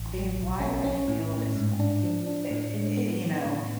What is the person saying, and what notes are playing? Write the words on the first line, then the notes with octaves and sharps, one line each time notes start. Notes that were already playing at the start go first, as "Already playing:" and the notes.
"Okay. Why do I feel this way," i i you know?
Already playing: A1
F#3
B1
C#4
C#4
A2
A2
G#2
D4
F3
D4
A2
G#3
B3
B3
A2